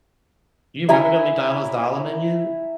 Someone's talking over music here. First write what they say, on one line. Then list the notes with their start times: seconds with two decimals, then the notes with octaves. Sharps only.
You remember the McDonald's dollar menu?
0.89 E4 E5 G#5 A#5